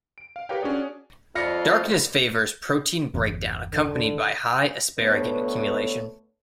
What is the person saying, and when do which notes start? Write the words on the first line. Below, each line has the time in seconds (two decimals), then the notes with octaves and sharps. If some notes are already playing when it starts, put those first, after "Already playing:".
Darkness favors protein breakdown accompanied by high asparagine accumulation.
0.18 D7
0.36 F5
0.49 G4 A#4 B4 C#5 F5 G5
0.62 C#4 D4 F#4 G#4 D5
1.35 F2 F4 D5 E5 B5 A#6 C#7
3.14 G1 E2
3.73 D3
4.99 D2 A3 B3 B4 C#5